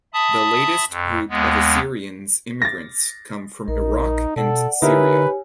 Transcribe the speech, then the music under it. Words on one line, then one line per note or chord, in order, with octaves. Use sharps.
The latest group of Assyrians immigrants come from Iraq and Syria.
E5 A5 B5 D#6
F2
D#2 G#3 B3
A6 A#6
A#1 D#4 A#4
B2 A4 D5 F#5
D3 D#4 E4 G4 A#4 B4 C#5 G#5